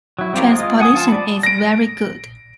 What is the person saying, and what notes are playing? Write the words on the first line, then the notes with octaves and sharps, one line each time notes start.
Transportation is very good.
F#3 E4
G3 C4 F4 G4 A#4
G#3 F4 D#5
F#5 G#5 D#6
F3 F4 A5
D5 A5 B5
A#6 D7